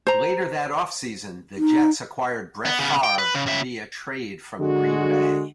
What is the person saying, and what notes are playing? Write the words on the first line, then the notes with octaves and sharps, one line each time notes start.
Later that offseason, the Jets acquired Brett Favre via trade from Green Bay.
C5 A#5
D#4
B3
C#3 B3
G5
B4
C#3
C#3 E5
D3 G#3 F#4